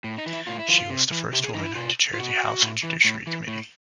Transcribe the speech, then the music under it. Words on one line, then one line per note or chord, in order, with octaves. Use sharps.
She was the first woman to chair the House Judiciary Committee.
A2
D#4
E3
E4
A2 F4
E4
E3 F4
C3
E3
C3 G4
G#4
E3 D#4
E4
B2 F4
F4
B2 F#4
A2
E3
A2
E3
A2